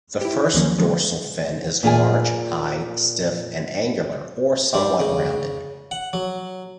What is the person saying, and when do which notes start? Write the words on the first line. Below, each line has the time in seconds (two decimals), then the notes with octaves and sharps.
The first dorsal fin is large, high, stiff, and angular or somewhat rounded.
0.21 E4 G4
0.54 D#2 D#3 F3 F#3 A#3 C#4
0.78 D3 F3 F#3 G#3
1.83 A#2 F4 G#4 G#5
4.74 G3
5.00 C#3
5.91 F#5
6.13 F#3